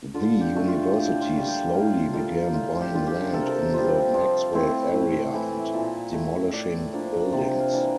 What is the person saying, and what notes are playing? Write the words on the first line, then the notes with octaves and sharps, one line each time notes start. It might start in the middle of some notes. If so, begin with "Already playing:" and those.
The university slowly began buying land in the Maxwell area and demolishing buildings.
D3 F4
G4
A3 D4
F4
A2 G4
F4
G3 A#3
G4
A2 F5
G3 A#3 F4 A4
A2 F4
G4
G3 D4 F4
G4
C3 A4
A#4
A4
G3 C4 F4
F3
A3 C4 E4
A2
E3 A3 E4
A#2
A3 E4
A2 D5
F3 A#3 D4
C3 D5
F5
E3 A#3 D4